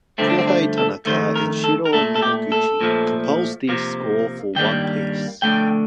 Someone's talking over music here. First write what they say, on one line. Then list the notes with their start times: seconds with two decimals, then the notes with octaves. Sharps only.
Kohei Tanaka and Shiro Hamaguchi composed the score for "One Piece".
0.18 G2 D3 F3 A3 C4
0.29 D4
0.38 C4
0.47 D4
0.78 A4
1.06 F2 D#3 A3 C5
1.35 A#4
1.64 A4
1.85 A#4
1.93 A#2 A3 A4
2.16 A4
2.22 G4
2.52 A4
2.81 A#2 F3 A3
3.69 C3 F3 A#3
4.55 G2 D#3 G3 A#3 G5
5.42 F2 D3 A3 G5